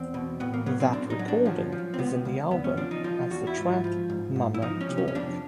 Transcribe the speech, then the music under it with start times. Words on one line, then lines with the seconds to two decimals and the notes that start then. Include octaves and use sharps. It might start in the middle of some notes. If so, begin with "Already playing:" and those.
That recording is in the album as the track "Momma Talk".
Already playing: E2 C4
0.14 B2
0.40 A2 B3
0.54 A#3
0.66 F#3 B3
0.80 C4
0.93 A2 D4
1.10 D#4
1.19 F#3
1.28 D4
1.45 F3 C#4
1.72 F3
1.94 C4
1.99 C#2 B3
2.25 C#2
2.51 E2 B3
2.64 C#4
2.77 F3 D4
2.91 D#4
3.04 F3 F4
3.30 E2 F#4
3.47 E4
3.57 G#2 F4
3.84 F3
4.10 G#2
4.36 G#2
4.54 E4
4.62 F3 D#4
4.81 C#4
4.89 C3
4.98 C#4
5.08 C#4
5.15 F2 D4